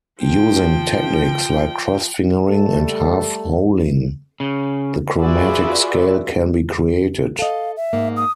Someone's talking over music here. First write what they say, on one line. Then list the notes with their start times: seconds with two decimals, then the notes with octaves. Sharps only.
Using techniques like cross-fingering and half-holing, the chromatic scale can be created.
0.22 F3 G5
2.48 G3 A3 A4
4.40 C#3
5.18 F4 F#4 G#4 B4 D5 E5
7.39 A4 D#5 F5
7.77 E5
7.93 G#2 A#3
8.17 D#6